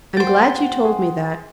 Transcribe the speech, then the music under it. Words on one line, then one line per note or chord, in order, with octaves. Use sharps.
'I'm glad you told me that.
F#1 C5 F#5 G5 C6 A6
G#4